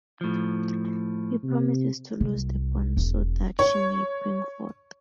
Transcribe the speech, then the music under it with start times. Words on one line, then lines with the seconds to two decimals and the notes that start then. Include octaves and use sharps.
He promises to loose the bond so that she may bring forth.
0.21 A2 F3
1.44 C3
2.20 C2
2.97 E1
3.59 C#5